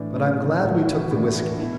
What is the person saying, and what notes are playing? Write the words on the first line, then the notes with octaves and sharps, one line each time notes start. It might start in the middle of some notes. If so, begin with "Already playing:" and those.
But I'm glad we took the whisky.
Already playing: A2 E3 D4
A2 C#4
E3 D4
A2 F#4
E3 E4
F#4
A2 D4
E3
B2 E4